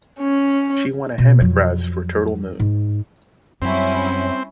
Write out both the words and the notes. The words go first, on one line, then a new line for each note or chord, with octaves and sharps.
She won a Hammett Prize for "Turtle Moon".
C#4
B2
F2 F#3
G#2
F#2 F#3 G3 C4 C#4 E4